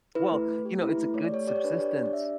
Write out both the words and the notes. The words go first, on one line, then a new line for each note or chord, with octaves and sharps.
Well, you know, it’s a good subsistence,
E4 B4
A3
A3
G4
E4 B4
A3
A3 C#5
D5
G4 C#5
G4 D5
C#5
D4 B4
C#5
G4 D5
D4
D5
G4 E5